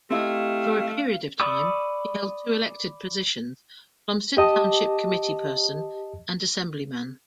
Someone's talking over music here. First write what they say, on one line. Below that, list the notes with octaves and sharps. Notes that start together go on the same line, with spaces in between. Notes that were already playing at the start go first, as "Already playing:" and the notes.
For a period of time, he held two elected positions-Plumsted Township committeeperson and Assemblyman.
A3 C4 E4 G4 D#5 F5
D5 B5 C#6 D#6 E6
G4 D#5 A5